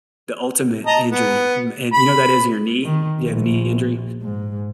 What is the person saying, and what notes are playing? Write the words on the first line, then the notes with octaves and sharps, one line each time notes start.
the ultimate injury. M and you know that is in your knee? Yeah, the knee injury.
D#5 A5 A#5
B3
B5
D#3
A#1
G#2